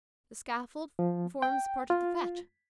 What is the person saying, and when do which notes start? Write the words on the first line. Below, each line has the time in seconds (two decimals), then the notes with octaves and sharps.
"The scaffold forms part of the fete."
0.99 F3
1.42 G5
1.90 F4